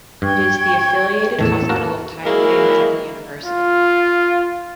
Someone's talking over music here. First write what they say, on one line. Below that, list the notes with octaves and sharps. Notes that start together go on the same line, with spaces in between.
It is the affiliated hospital of Taipei Medical University.
G2 G5 C#6 G#6
E2 A2 D#3 A4 A5
A#3 F#4 A#4
F#3 G#3 A#3 E4 G#4 A#4
F4